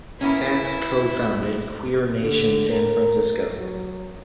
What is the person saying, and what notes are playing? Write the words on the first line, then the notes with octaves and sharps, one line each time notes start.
Katz co-founded Queer Nation San Francisco.
A#3 B3 C#4 E4
D3
A#4
F#3